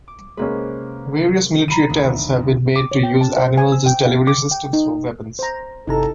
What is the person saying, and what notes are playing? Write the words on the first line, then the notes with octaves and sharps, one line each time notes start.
Various military attempts have been made to use animals as delivery systems for weapons.
D6
C3 G#3 A#3 C#4 B4
A#5 B5 D#7
A1 D2 D#3
F#1
D6
C#5
G5
A5
C5
G#5
E6
G5
F5
D6
G5
D#4
C5 A#5
G1 C3 D#4 E4 G4 A4 A#5